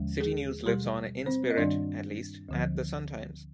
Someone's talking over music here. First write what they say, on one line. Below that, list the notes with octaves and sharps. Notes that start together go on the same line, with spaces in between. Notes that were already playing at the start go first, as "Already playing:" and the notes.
City News lives on, in spirit, at least, at the "Sun-Times".
Already playing: D#2 D3 F3 G#3
G#4
B2 G3 G4
C4 C5
D#5
G2 D#3 G3 D4 D5
D2 D3 F3